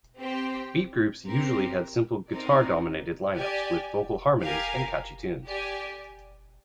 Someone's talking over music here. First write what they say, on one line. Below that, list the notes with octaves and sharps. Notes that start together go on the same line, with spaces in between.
Beat groups usually had simple guitar-dominated line-ups, with vocal harmonies and catchy tunes.
C4 G4 C5 G5
C4 G4 A#4
C4 D#4 A#4 D5
G4 D5 G#5
G4 A#4 F5 G#5
G4 D5 G#5